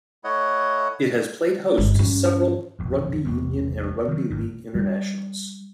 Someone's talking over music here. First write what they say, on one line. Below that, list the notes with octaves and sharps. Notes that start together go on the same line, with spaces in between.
It has played host to several rugby union and rugby league internationals.
A3 E4 C#5 D#5 F#5
G1 G#3
G2 C#4
E1 A#1 F2
A1 E2 C3 G3
D#3 F#3
G#1 F#2 A#2
G3